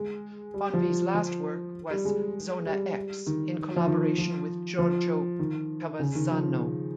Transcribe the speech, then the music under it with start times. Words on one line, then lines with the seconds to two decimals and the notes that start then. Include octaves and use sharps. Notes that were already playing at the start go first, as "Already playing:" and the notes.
Bonvi's last work was "Zona X", in collaboration with Giorgio Cavazzano.
Already playing: G#3
0.54 G3
0.74 F3
1.14 F3
1.91 G3
2.05 G#3
2.66 G3
3.27 D#3
3.76 F3
3.87 D#3
4.18 F3
4.79 F3
5.39 D#3
5.99 C#3
6.15 D#3
6.30 F3